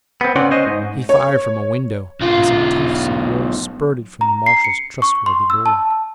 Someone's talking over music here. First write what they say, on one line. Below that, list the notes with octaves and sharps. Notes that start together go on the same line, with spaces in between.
He fired from a window, and some tufts of wool spurted from the marshal's trustworthy bulwark.
B3 C4
C#3 C4 C#4 B4 D5 F#5
C#4 C5 D#5
G#2
C#5
B1 F4
A#5
C7
C#7
C#6
C6
E6
A5